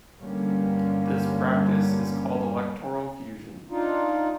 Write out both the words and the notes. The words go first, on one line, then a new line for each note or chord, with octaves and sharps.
This practice is called electoral fusion.
G2 D3 G3 A#3 C#4
D4 D#4 F4